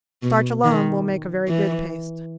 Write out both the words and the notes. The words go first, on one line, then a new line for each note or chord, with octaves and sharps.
Starch alone will make a very good paste.
B2
D#3
E3